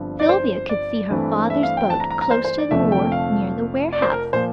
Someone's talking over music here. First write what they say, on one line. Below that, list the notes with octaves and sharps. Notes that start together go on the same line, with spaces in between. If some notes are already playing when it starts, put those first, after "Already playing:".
Sylvia could see her father's boat close to the wharf near the warehouse.
Already playing: G1 G2 F3 C4
D5
C5
D5
G2 E3 A3 C4
E5
F5
G5
A5
A#5
A#5
A#5
C5
C5
D5
F1 F2 D3 F3 A3 E5
G5
F5
D5
C5
A#4
A#2 F3 A#3 C5